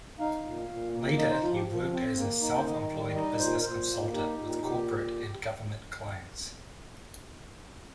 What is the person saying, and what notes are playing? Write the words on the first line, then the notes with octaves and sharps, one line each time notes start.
Later, he worked as a self-employed business consultant with corporate and government clients.
D#4 F5
A#2
A#2
A#3
D#4 D#5
C5
F3 F4
G4
F3
C4
A#3
D#4
C5
D#3 D#5
G3
D#4 D#5
A#2 C5
A#4
A#2 C5
A#3
D#4 G4
A#2
A#2 G4